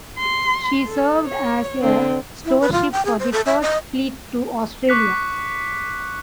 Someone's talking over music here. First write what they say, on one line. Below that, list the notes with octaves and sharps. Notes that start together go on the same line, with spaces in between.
She served as a storeship for the First Fleet to Australia.
C6
A4
C#5
D3 C4
E4
B4
F4
G5
G#4
C5
A4
E5
D#5
C#6 D6 F#6 B6 C#7